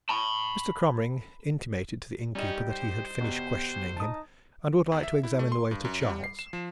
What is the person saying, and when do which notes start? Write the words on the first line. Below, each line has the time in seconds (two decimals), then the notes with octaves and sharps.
Mr. Cromering intimated to the innkeeper that he had finished questioning him, and would like to examine the waiter, Charles.
0.09 A5 B5
2.35 G3 C#4 D#4 G4 D#5
2.70 C5
3.20 E2 B2 G4
3.97 D#4 A5 D#6
4.92 E2
5.03 E5
5.23 E4
5.39 A3
5.52 C6
5.71 G2
5.85 F#2
6.10 G3
6.24 C7
6.39 E7
6.53 F3